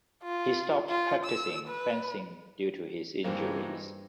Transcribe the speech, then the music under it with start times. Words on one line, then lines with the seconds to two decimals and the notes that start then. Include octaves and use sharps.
He stopped practising fencing due to his injuries.
0.23 F4
0.90 F4
1.25 E6
1.68 B4
3.24 G2 E3 G#3 A#3 C4 D#4